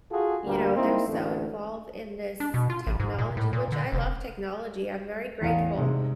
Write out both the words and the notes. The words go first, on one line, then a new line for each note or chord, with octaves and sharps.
you know, they're so, involved in this technology which I love technology, I'm very grateful
F4 F#4 G#4 A4
D2 A#2 G3 A#3
A#3 C4 D#4 E4
A1 D2 A3
D4
B2
F4
A1
G#2
A#2
A2
A#2
D3
F1
A1 E2 F5
G#2 C3 G#3